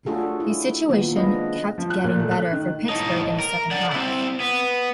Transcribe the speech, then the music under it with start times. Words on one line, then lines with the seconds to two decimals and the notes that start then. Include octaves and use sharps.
The situation kept getting better for Pittsburgh in the second half.
0.06 A3 D4 F4 F#4 G#4 A4
0.40 E4
0.89 D#3 F3 A#3 B3
1.16 G#3 B3 D4 B4 D#5
1.78 F3
1.90 F#6
2.04 A#2
2.19 A3
2.31 F#6
2.52 D#3
2.89 A2 D#4
3.40 A#4
3.71 D5 F#5
3.92 C4 E4
4.40 B3